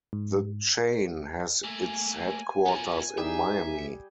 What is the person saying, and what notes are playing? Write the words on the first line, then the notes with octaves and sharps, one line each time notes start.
The chain has its headquarters in Miami.
G#2
A3 A#3 G#5
B3 F4
G3 D#4 G#4 E5 G5